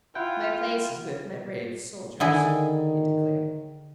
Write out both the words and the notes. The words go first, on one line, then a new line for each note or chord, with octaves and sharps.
"My place is with my brave soldiers," he declared.
E4 F4 F#5 G5
D3 D#3 E4 G#4